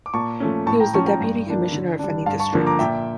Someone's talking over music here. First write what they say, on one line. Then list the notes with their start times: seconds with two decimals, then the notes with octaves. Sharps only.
He was the Deputy Commissioner of Feni District.
0.06 D6
0.14 A#2 A5 C#6
0.40 F3 A3 C#4
0.66 A2 A5 C#6
0.80 G5 A#5
0.94 F3 C#4 A5 C#6
1.07 G5 A#5
1.20 G2
1.47 E3 A#3 D4
1.73 D3
1.99 G3 D4
2.26 G2 F5 A5
2.40 A5 C#6
2.53 D3 F3 A#3 D4
2.66 A#5 D6
2.79 A#2 E5 G5